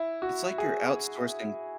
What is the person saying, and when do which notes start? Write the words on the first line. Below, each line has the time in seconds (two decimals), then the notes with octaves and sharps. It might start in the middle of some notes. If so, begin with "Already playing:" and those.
It's like you're outsourcing
Already playing: E4
0.22 F#4
0.58 G#4